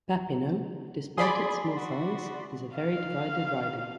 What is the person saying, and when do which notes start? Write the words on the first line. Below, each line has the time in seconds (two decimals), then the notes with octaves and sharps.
Papineau, despite its small size, is a very divided riding.
1.18 G#4 D5 B5 C6
1.76 F#4
2.76 F5